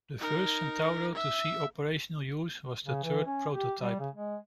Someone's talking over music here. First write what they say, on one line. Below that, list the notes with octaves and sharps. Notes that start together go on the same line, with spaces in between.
The first Centauro to see operational use was the third prototype.
D#4 A#4
E5
C#3
E3
C#4
G4
G3
C#3
G#3